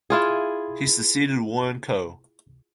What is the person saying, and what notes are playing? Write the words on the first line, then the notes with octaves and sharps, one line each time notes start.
He succeeded Warren Keogh.
E4 F4 G#4